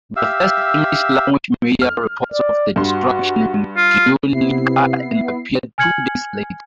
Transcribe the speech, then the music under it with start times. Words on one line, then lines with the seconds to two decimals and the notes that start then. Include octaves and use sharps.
The first English-language media reports of the destruction in Guernica appeared two days later.
0.16 G4 E5 F5 E6
1.82 F6
2.33 D5
2.76 G2 F#4 C6
3.77 F4
4.33 C3 B3 E4 C7
5.78 G#5 F6 G#6 C#7 F#7